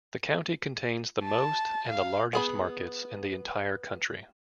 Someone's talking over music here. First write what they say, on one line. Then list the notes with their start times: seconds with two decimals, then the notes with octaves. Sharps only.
The county contains the most and the largest markets in the entire country.
1.24 A5
1.89 F5
2.33 B3 G#4 B5